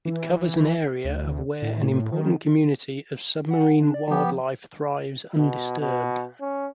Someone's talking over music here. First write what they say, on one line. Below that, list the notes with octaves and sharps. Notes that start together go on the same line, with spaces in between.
It covers an area of where an important community of submarine wildlife thrives undisturbed.
E3
D2
A2
D#3
F#5
D4
D5
F3 B3 G4
B2
B2
C#4